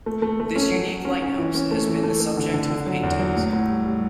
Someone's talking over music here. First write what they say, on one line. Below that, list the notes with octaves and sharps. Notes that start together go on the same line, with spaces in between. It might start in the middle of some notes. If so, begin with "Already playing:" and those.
This unique lighthouse has been the subject of paintings.
A3
A3
A3
C#4
F#3
F#3
C#4
C#4
E3
C#4
A3
E3
A3
A3
D3
D3
D3
F#3
E2
F#3
A2
A2
G3
G3